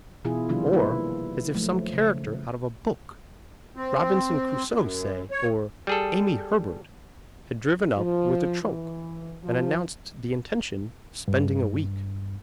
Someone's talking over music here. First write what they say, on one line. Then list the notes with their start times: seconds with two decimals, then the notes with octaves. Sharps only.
Or as if some character out of a book, Robinson Crusoe, say, or "Amy Herbert," had driven up with a trunk and announced the intention of spending a week.
0.25 B2 E3 E4 F4 G#4
0.49 C3 D#3 F3 G3 D4 F4
0.73 A#3 E4 B4
1.55 F3 F#3 A3
1.93 C#3
3.76 C4
4.70 F#2
5.31 C#5
5.87 G3 G#4 A4
7.97 F3
8.63 E3
9.43 F3
11.28 G2